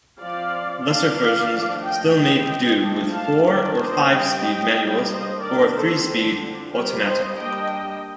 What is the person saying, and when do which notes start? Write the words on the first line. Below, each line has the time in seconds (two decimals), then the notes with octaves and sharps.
Lesser versions still made do with four or five-speed manuals or a three-speed automatic.
0.20 F3 C4 D5 F5
0.85 D#3 A#3 D4 D5 F5
1.51 F3 A3 D4
1.83 D#5 G5
2.16 G3 C4
2.81 F3 A3 D4
3.13 F5 A5
3.46 D#3 A#3 D4 A#4 D5
3.79 C5 D#5
4.11 G3 C4 D#5 G5
4.77 G3 A#3 D4
5.09 C5 D#5
5.41 D#3 A#3 D4 A#4 D5
5.74 A4 C5
6.07 D3 F3 C4 D4
6.72 G3 C4 G4 A#4
7.05 C5 D#5
7.37 G3 A#3 D4 D#5 G5